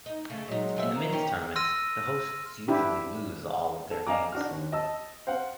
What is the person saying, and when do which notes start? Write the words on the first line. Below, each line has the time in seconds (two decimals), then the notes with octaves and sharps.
In the men's tournaments, the hosts usually lose all of their games.
0.06 D#4
0.30 C#3 A3
0.48 A#2 F#3 G#3 D#4
0.76 F3 G#4 E5
0.97 D#3 A#5
1.13 C#4 E4 G4
1.56 C6 E6 F6 A#6 D#7
2.68 D4 E4 G4
3.91 A4
4.07 D5 D#5 F5 G#5 A#5 D6
4.32 D4 F#4 F6
4.51 D#2
4.72 D#5 A5 E6
5.27 C5 F5 F#5